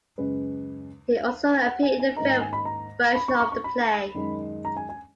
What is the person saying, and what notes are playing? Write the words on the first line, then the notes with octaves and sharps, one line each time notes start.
He also appeared in the film version of the play.
F#2 C#3 G#3 C#4 B4
F5
F#5
G#5
G#5
G#2 D#3 A#3 D#4 A#5
A#5
G#5
B5
A#5
B5
C#6
C#6
C#6
B5
F#2 D#3 G#3 D#4
A#5
G#5
G#5